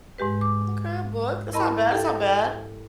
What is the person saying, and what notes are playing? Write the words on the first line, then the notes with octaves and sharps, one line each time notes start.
Okay, a book, that's not bad, that's not bad.
G#2 G#3 G4 B4
D6
E4 A#4 D#5 A5 B5 C6
G4 A4 G5